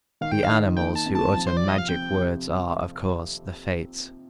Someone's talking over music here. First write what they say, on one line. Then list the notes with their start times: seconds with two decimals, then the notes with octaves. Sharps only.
The "animals" who utter magic words are, of course, the Fates.
0.21 D#3 F5
0.32 G5
0.44 F5
0.49 D#4
0.77 A#3 G5
0.95 A5
1.05 F2
1.15 A5
1.33 F3
1.47 C5
1.57 C3 D5
1.68 D#5
1.78 F5
1.89 C4 G5
2.17 C3